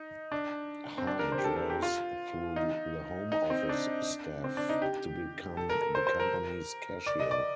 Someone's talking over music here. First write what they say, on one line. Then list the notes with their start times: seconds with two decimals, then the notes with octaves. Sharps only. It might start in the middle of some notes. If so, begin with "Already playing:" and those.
Hyde rose through the home office staff to become the company's cashier.
Already playing: D#4
0.32 D4
0.98 C4
1.07 D4
1.19 A#4
1.32 C5
1.38 G4
1.44 A4
1.56 A4
1.70 G4
1.83 F4
2.56 D#4
3.32 D#4
3.50 C4
3.69 D4
4.44 C4
4.57 D4
4.69 D#4
4.82 G4
5.57 A4
5.70 A#4
5.81 A#4
5.95 C5
6.07 C5
6.20 A#4
7.06 D5
7.20 D#5
7.31 D5